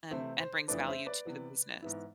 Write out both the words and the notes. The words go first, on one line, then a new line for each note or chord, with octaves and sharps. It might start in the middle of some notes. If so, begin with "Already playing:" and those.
and and brings value to the business.
C3 E3 A3 C4 E4 C5
C5
F2 E3 A3 D4 B4 D5
C5 E5
B4 D5
C3 E3 B3
G#2 E3 B3 E4